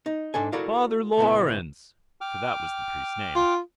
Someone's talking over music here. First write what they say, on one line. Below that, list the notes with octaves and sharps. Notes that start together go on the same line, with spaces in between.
Father Laurence!'--for that was the Priest's name.
D#4
G#2 D4 A4 G#5
E4 F#4 A4 A#4 D5 F5
C#2 A#2 B3 E4
G5 D6 F6
F4